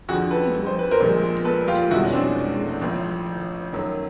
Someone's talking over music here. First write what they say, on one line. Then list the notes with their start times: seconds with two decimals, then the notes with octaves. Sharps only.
Sydney dwelt with reluctant attention on the latter half of it.
0.09 F2 D3 F3 F#4 G#4
0.31 A4 B4
0.66 C5
0.79 B4
0.91 A#4 C5
1.00 A#1 A#2 F3 G#3
1.45 A4 B4
1.68 F4 G4
1.91 F1 E2 B2 G#3 E4 F#4
2.03 C#4
2.13 C4 D4
2.81 A1 A2 F3
3.73 F#2 D#3 F#3 A3